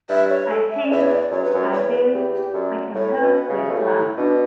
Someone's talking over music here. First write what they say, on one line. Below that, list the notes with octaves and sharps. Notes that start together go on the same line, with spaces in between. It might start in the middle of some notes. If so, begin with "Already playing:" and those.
I paint, I build, I compose with light.
G2 E5
C#5
A4
E5
D5
E2 E5
C#5
D5
F#2 C#5
G2 B4
F#2 C#5
E2 C#5
B4
E2 G4
G4
F#2 D5
A2 C#5
B4
B2
B4
C#3
E5
B2 A4
A2 G4
E4
B2 D4